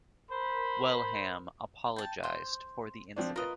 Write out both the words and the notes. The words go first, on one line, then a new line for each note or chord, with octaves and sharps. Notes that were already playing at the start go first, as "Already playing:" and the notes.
Wellham apologised for the incident.
A#4 C5 B5
G5 A5
C5
F3 C4 D4
F4 A#4 B4 D#5